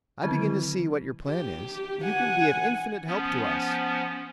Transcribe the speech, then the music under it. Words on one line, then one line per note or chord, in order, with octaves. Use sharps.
I begin to see what your plan is. You can be of infinite help to us.
D3 D#3 F#3 C4 E4
G4
F#5 G#5
F3 B3 C#4